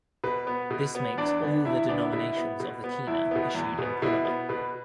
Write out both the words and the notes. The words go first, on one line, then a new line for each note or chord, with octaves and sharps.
This makes all the denominations of the kina issued in polymer.
B2 B4
B3
B2
B3
E2 D4 D5
D3 B3
E2 E4 E5
E4 E5
D3 B3 D4 D5
E4 E5
B2 E4 E5
B3
B2
B3
E2 E4 E5
B2 B3
E2
B2 B3
B2 E4 E5
B3
B2 B4